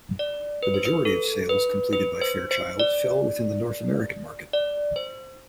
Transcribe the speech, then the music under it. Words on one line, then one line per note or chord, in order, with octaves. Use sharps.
The majority of sales completed by Fairchild fell within the North American market.
D5
B4
C5
B4
A4
B4
B4
C5
C5
D5
D5
C5